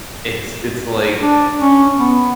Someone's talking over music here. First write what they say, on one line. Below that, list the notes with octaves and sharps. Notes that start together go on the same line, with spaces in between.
it's it's, like,
D4
C#4
B3